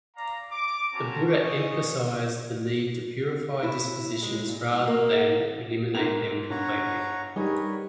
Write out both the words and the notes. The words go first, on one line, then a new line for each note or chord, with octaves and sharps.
The Buddha emphasized the need to purify dispositions rather than eliminate them completely.
D5 F5 A#5
D6
C4 C#4 F#4 A5 A#5
C#4 D#5 C#6
E4
G#3
A#2
G#2
A#3
G#2 B3 A#4 F7
G2 C#5 F#5 A#5
G3 D#4 G#4 A#4 B4 C#5